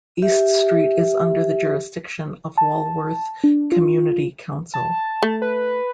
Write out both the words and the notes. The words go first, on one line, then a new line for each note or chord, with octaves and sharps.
East Street is under the jurisdiction of Walworth Community Council.
G4 E5
A5
D4
F4
A5
A3
B4